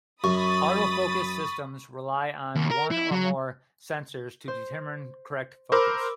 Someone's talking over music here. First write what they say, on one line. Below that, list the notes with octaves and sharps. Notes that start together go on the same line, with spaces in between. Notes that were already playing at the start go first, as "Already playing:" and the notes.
Autofocus systems rely on one or more sensors to determine correct focus.
F#2 B5 C#6 D#6 A6
D#2
A#4
E4
F#3
C5
A#4 C5 B5 D6 E6